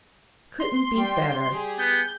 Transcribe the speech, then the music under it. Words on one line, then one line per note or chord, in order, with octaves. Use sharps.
'Couldn't be better.'
C6
G3 G5
G4 G#4
B3 G6